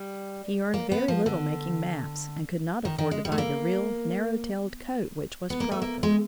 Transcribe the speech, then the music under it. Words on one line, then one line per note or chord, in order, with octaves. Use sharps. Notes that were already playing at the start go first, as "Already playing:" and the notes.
He earned very little making maps and could not afford to buy the real, narrow-tailed coat which was proper.
Already playing: G3
A#3
B3
F3
D3
D#3
D#3
G#3
G3
A3
A#3
B3
A#3
A3
A#3
G#3